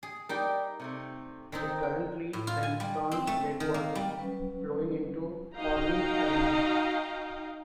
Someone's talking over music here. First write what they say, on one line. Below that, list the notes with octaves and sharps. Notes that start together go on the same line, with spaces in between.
It currently then turns lakewards, flowing into Orleans Avenue.
G#4
G3 D#4 A#4 D5 G5
C3 A3 C4
D#3 C4 D#4
G5
A2
F4
G#5
G3
C4
A3
D#3
A#3
G3
F#3 G3 C#4 B4
D#4 F#4 D#5 F5 G5 A#5